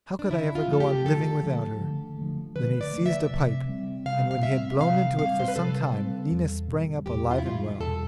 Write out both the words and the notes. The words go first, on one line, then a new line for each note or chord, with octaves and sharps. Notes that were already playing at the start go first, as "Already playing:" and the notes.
How could I ever go on living without her?' Then he seized a pipe, and when he had blown into it for some time Nina sprang up alive and well.
D4
D3 E4
F4
F3 A3 A4
G4
D3 A4
F3 A3
D3
F3 A3
D3 B4
D5
F3 A3
E5
C3
G3 C4
C3 F5
F5
G3 C4 E5
C3 F5
G3 C4 F5
C5
B4
C3 A4
G3 C4
E2
B2 G3
E2 G4
F4
E4
B2 G3 F4
E2 A4